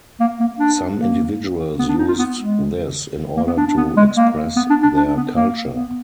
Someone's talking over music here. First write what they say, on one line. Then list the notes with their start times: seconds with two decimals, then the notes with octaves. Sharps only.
Some individuals used this in order to express their culture.
0.20 A#3
0.40 A#3
0.59 D4
1.00 A#3
1.79 B3
1.88 D4
1.98 D#4
2.08 F4
2.19 B3
2.38 G#3
3.37 A#3
3.47 B3
3.57 D4
3.67 D4
3.77 B3
3.97 G#3
4.17 A#3
4.56 B3
4.70 D4
4.83 D4
4.97 D4
5.17 B3
5.35 A#3
5.75 B3